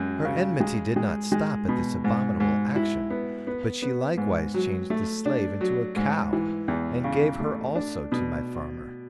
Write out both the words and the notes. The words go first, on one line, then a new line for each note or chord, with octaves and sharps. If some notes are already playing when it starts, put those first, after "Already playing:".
Her enmity did not stop at this abominable action, but she likewise changed the slave into a cow, and gave her also to my farmer.
Already playing: F#2 G#3
C#3
G#3
G#3
G#3
B2
G#2
G#2
E4
B3
B3
B3
G#2
F#3
A3
D4
F#3
G#2
E3
E2
C#3
A3
D4
B2